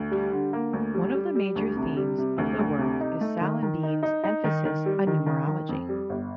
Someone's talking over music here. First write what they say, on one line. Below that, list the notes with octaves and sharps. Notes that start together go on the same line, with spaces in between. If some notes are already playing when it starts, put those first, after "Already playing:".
One of the major themes of the work is Salimbene's emphasis on numerology.
Already playing: D2
G3
D3
A#3
D2
G3
G3
G3
D2
C3
G3
C3
D2
D2
C3
D#4
A3
D#3
D#3
D#4
D#4
D#4
D#3
D#3
G3
D#3
D#3
D#3
F2
G3
G1